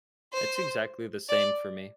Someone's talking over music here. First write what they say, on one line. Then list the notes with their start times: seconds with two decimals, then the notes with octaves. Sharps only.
It's exactly the same for me.
0.33 C5
1.29 D5